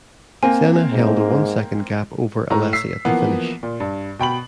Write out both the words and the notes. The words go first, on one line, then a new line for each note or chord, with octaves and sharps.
Senna held a one-second gap over Alesi at the finish.
A#3 C4 G#5
G#2
A2 A#5
E6 B6 C7
E3 F3 A#3 B3
A#2
G2
B2 G5 B5 F#7